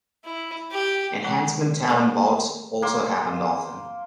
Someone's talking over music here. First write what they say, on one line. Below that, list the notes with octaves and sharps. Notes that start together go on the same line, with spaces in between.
"Enhancement talent" bouts also happened often.
E4
G4
E3 G#3
A3 A4 C#5 D5 A5 C#6
A#3 C6